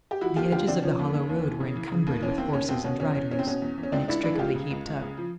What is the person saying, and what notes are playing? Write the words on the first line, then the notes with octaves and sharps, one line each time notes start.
The edges of the hollow road were encumbered with horses and riders, inextricably heaped up.
G4
F3 E4 F#4
D#2 F4 G4
D3 F4 G4
D3 C4 D4
F3 C#4
D#2
D#2
D#2
E3
C#3
E3
C#3
D#2
E3 C#4
D#2 C4
D#2 C#4
B2 C4
B2 C#4
E2 C#4
E2 C#4
E2 C#4
C4
B2 C#4
E2
E2
C#4
C#2 C4 D4
C#2 D4 E4
E3 D4 E4
G#4
C#2 F4 G4
C#3
C#2
C#2
C#3
F3